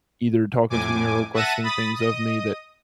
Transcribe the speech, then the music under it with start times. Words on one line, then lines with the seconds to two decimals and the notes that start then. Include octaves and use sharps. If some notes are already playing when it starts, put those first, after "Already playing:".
either talking to me or requesting things of me that
0.70 F2 A2 G#5 D6
1.34 E5 F#5 A5 A#6 D#7
1.63 B5 D#6 A6
1.95 D#5 D#6